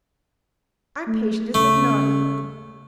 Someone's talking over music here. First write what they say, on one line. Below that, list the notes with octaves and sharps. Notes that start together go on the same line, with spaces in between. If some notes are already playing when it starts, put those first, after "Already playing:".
'Our patient has been naughty!
A3
C#3 A3